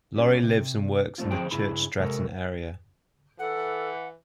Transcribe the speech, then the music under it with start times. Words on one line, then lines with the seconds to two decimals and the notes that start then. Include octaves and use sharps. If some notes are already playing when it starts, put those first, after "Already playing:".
Laurie lives and works in the Church Stretton area.
0.16 G3 C#4
0.43 C3
1.18 G#2 A3 C4 F4
1.31 D2 F3 C4 G#4 C5 G5
1.51 C#2 G2 E4 G#4 B5
1.99 C3 G#3 A4 A#4
3.39 E3 A4 F#5